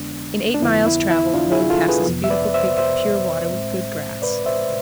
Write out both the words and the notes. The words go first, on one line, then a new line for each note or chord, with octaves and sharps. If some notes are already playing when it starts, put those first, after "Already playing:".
In eight miles' travel the road passes a beautiful creek of pure water, with good grass.
Already playing: F2 D3 G#3 B3 D4
D4
F2 D3 F3 B3 E4
E4
E4
D4 F4
E4 G#4
F4 A4
G#4 B4
F2 C3 F3 B3
E5
B4 D5
C5 E5
C5 E5
A2 G#3 C4
B4 D5
C5 E5